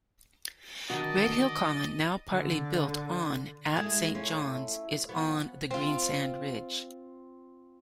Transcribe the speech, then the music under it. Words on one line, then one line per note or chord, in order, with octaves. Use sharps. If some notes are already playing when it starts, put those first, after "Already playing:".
Redhill Common, now partly built on at St John's, is on the Greensand Ridge.
D3 D#3 F#3 F#4 D5 D#5
D3
G#3 A3 E4
C#4 F4
F3 B3 C#4
C4 F4